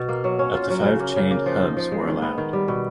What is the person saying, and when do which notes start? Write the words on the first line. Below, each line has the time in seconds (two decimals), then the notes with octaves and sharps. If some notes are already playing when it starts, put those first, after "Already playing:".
Up to five chained hubs were allowed.
Already playing: B2
0.09 A#3
0.24 F#3
0.39 C#4
0.55 F4
0.70 F#3
0.85 C#3
1.00 A#3
1.16 C#3
1.31 A#3
1.46 F3
1.62 D#4
1.77 F3
1.92 G#3
2.08 D#3
2.22 B3
2.38 D#3
2.53 G3
2.68 B2